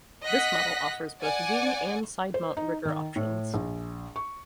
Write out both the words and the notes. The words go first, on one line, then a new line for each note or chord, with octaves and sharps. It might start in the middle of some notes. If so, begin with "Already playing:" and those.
This model offers both wing and side mount rigger options.
D#5 F#5 F#6 A#6 B6
D5 F#5 G#5
C5
D#4
D#3
A2
A#1
C#6